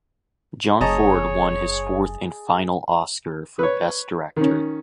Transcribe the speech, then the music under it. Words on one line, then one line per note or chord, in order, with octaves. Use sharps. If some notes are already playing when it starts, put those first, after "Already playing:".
John Ford won his fourth and final Oscar for best director.
F#1 G#4 C#5 D#5 A5 A#5 C#6
B4 C#5
D#3 C#4